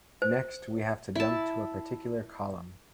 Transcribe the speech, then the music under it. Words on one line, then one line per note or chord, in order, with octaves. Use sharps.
Next, we have to jump to a particular column.
C5
E4 A5